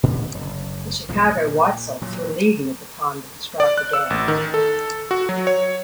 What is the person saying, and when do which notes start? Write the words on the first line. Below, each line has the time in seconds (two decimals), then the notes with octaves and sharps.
The Chicago White Sox were leading at the time that the strike began.
0.03 A#2 D3 E3 A3
0.34 F#1
1.09 B1 G#2 F3
1.37 A#2
2.02 A#2 F#3
3.60 D5
3.78 F#6
3.93 E6
4.10 A1
4.28 D#3
4.54 A4
5.11 F#4
5.29 F#3
5.47 C#5